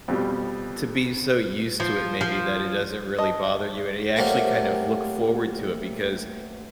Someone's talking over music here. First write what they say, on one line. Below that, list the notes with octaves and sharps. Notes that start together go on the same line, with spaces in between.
to be so used to it maybe that it doesn't really bother you, and ya actually kind of look forward to it, because,
F2 B2 G3
F3
F3
D#5 A5 D#6
F#3 G3 A3 A#3 C4